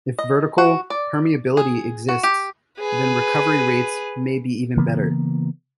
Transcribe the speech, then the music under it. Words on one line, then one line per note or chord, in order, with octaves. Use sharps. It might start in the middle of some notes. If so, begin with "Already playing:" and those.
If vertical permeability exists then recovery rates may be even better.
D#5
F#4
D5
G#4
F#4
G4
G#4 B4
C#3 E3 A#3 B3